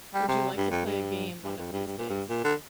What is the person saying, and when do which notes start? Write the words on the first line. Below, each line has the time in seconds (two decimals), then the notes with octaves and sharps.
Would you like to play a game one of these days?
0.14 G3
0.28 C3
0.57 G2
0.71 F2
0.86 G2
1.44 G2
1.58 F2
1.72 G2
1.87 G2
1.98 A#2
2.10 G2
2.29 A#2
2.44 D3